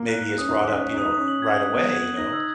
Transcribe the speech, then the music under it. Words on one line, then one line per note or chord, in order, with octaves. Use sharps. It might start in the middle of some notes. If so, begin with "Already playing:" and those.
maybe is brought up, you know, right away, you know?
Already playing: A#3
F#6
F#6
C#4 D#6
D#4
D#6
D#4
C#4 B6
C#4 D#6
D#4
D#6
D#4
C#4 D#6
F#7
G#6
F#7
B3 G#6
G#6
F#7
D#4 A#6
E6